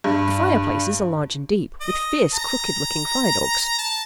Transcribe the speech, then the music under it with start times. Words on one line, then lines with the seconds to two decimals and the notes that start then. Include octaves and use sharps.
The fireplaces are large and deep, with fierce crooked-looking fire-dogs.
0.04 G2
1.80 D#5
2.34 A#5
3.79 A5